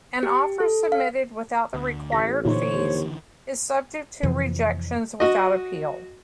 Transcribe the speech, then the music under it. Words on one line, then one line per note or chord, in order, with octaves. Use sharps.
An Offer submitted without the required fees is subject to rejections without appeal.
G4
A4
F5
D2
A1 A#6
A#2 D3 E3 D#4 C5 C#5
D#2
F2 C3 E3 F3
F#4 D#5